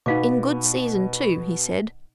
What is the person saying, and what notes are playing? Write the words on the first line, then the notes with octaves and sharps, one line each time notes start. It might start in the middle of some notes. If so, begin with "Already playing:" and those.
"In good season, too," he said.
B2 B3 D#4 F5 D6